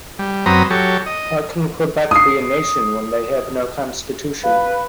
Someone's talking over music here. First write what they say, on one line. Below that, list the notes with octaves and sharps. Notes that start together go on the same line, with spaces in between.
How can Quebec be a nation when they have no constitution?
G3
F#2 F#3 C4 B4 A#5 D#6
F#3 G4 A4 C#5
D#5
D#6 C7
B4 F5